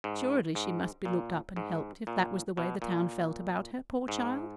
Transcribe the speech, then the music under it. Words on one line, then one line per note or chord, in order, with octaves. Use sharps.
Assuredly she must be looked up and helped if that was the way the town felt about her, poor child!
G#2
G#2
A#2
G#2
A#2
B2
A#2
G#2